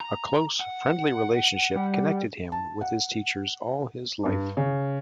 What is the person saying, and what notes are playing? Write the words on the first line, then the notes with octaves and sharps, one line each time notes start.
A close, friendly relationship connected him with his teachers all his life.
A#5
F#5
G3
A5
F#5
G2
C#3